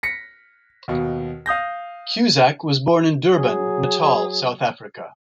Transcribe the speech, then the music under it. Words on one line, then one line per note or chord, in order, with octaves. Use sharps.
Cusack was born in Durban, Natal, South Africa.
A#6 B6 C#7
D#2 B2
F5 D#6 G6 A#6
F#3 G#4